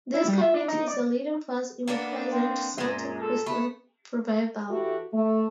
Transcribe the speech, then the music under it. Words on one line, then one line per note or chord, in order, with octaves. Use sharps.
This community is a leading force in the present Celtic Christian revival.
E4
G3
E5
D4
D#4
D5
A#3 B3 D4
C4
F#2 A#2 G#3
A4
A3 B3
E3 E4 F#4 G4 A4
A3